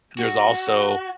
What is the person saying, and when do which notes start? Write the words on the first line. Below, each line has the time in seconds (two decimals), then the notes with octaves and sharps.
there's also
0.19 F#4